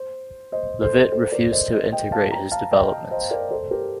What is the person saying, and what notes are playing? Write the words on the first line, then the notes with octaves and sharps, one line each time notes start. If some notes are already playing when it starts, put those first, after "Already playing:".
Levitt refused to integrate his developments.
Already playing: C5
C5 D#5
A4 C5
A4 C5
A#4 D5
C5 D#5
C5 D#5
D#5 G5
F5 A5
G5 A#5
F5 A5
D#5 G5
C5 D#5
A#4 D5
A4 C5
G4 A#4